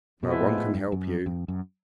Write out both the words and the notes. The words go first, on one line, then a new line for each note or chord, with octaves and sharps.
No one can help you.
B2 F3 G#3 B3 E4
A#2
A2
G2
F#2
F2
F#2